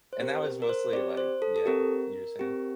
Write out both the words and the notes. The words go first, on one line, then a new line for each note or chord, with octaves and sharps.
And that was mostly, like Yeah, you were saying?
C5
C4 G4 A#4
A#4
C5
C4 G4 D5
C5
A4
A4
C4 G4 A#4
C4 G4